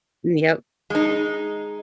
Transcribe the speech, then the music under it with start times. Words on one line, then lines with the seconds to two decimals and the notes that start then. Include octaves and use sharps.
M yep.
0.90 G#3 D#4